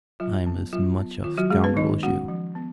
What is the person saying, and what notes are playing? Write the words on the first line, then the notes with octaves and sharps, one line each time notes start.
I am as much a scoundrel as you.
F#3 F4
B3
F#3 F4
B3
D#3 F4
F#3 F#4
G#3 C#4 G#4
B3 B4
D#3 D#4 D#5
G#3 C#4 F#4 F#5
F3
B3